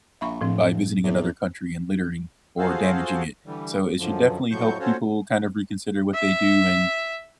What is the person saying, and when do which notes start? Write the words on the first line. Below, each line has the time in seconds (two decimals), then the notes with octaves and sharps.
by visiting another country and littering or damaging it. So it should definitely help people kind of reconsider what they do and,
0.21 A#1 E5 B5 C#6
0.41 D1 A2 F3 C4
1.04 E2
2.58 F4 F#4 G#4 A4 C5 F5
3.46 D3 E3 G3
3.99 F#2 D3 F3
4.51 F2 A2 F3 F#3 C#6 G6
4.80 C#4 F4 F#4 A4 C5 C#5
6.14 E5